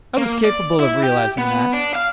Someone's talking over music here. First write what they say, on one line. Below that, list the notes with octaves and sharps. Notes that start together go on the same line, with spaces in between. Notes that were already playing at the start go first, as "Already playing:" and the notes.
I was capable of realising that.
A#3
D5
E4
G4
B3
D4
F5